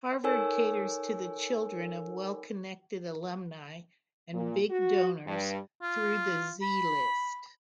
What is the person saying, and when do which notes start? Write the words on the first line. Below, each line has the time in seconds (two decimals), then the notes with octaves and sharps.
Harvard caters to the children of well-connected alumni and big donors through the "Z-list".
0.24 D#4 A4 A#4 C#5 G#5 E6
4.34 A#2
4.70 F#4
5.27 G2
5.82 F4
6.62 B5